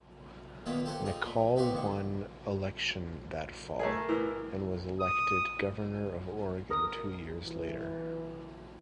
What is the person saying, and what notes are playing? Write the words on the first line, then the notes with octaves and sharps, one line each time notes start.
McCall won election that fall, and was elected Governor of Oregon two years later.
A#2 D#3 A#3 B3 E4 F4
G4 A4 C5 F#5 G#5
D#4 F4 G#4
A#2
B2 C4 F#4 G4 F5 C6
A1 D2 D#3 C#6
A3 G#4 A#4
A2 E3
D#6
A#4 D#6
E3